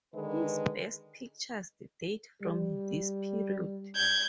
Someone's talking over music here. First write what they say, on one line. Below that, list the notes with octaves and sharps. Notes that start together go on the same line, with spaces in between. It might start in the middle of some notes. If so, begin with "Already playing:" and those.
His best pictures date from this period.
D3 D#3 G#3 B4
G3
G6 G#6